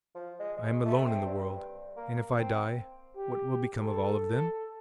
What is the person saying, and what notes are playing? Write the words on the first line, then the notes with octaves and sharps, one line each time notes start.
I am alone in the world, and if I die, what will become of all of them?
F3
G#3
G#3
A3
C4
G2
A#3
C4
G4
A4